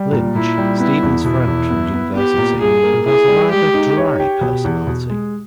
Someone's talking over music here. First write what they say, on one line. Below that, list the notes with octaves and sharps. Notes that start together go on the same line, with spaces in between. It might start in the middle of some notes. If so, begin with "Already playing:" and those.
Lynch - Stephen's friend from university who has a rather dry personality.
Already playing: G3
A#2
A#2 E4
G3
B3 E4
E2
B2 E4
E2
B3
B3
B3 G4
A#2
G2 G#4
A#3
E4 G#4
G3
G#3 G4
D#4
C#5
G4
B2
E2
B2
G#3